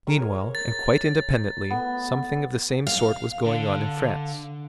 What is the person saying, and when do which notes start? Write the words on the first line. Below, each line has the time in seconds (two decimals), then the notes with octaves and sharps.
Meanwhile, and quite independently, something of the same sort was going on in France.
0.07 G#4 A#4 C#6
0.21 C#5
0.55 A6
1.70 A3 B3
2.87 F5
3.46 D3